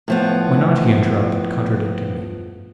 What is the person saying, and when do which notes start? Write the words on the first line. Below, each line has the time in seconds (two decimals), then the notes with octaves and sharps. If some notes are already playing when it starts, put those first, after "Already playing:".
"Why not!" he interrupted, contradicting me.
0.08 A2 F3 B3